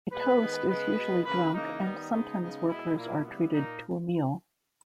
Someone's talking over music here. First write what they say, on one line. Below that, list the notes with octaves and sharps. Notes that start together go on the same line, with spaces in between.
A toast is usually drunk and sometimes workers are treated to a meal.
A#2 G#3 B3 B4
D#3 G#3 B3
C#3 G#3 B3 B4
B2 G#3 B3
C#3 E3 A#3 B4
C#3 E3 A#3 D#4
D#3 G3 B3
C#3 G#3 B3 D#4
C#3 G#3 B3
B2 G#3 B3 E4
A#2 A#3 E4
C#3 G3 B3 E4
A#2 A#3 D#4